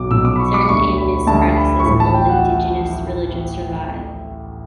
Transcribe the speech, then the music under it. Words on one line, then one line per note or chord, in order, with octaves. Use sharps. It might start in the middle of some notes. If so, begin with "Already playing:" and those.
Certain animist practices of old indigenous religions survive.
Already playing: B1 B2 F#3 D6
B1 B2 F#3 E6
D6
B5
C#6
D6
D2 D3 G3 C#6
B5
D2 D3 G3 A5
B5
C#6
A1 A2 G3 B5
A5
G5
F#5